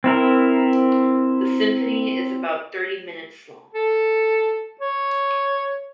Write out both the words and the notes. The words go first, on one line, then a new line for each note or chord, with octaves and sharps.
The symphony is about thirty minutes long.
C4 E4 A#4
A4
C#5